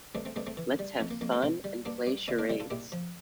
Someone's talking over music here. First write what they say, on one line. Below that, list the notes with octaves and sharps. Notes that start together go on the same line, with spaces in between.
Let's have fun and play charades.
G2 A3 C4
A3 C4
G2 A3 C4
A3 C4
E3
G3
F2 A3
A#3
F2 A#3
A3 C4
C3 A3 C4
G3
G2 A#3 D4
G2
D3 C4 E4
A#3 D4
G3 C4 E4
F4 A4
A#2 E4 G4
F3